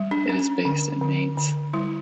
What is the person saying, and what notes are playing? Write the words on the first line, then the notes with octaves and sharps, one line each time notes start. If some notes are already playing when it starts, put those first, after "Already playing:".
It is based in Mainz.
Already playing: G3
D4
C#4
D3
D3
D3
G3 E4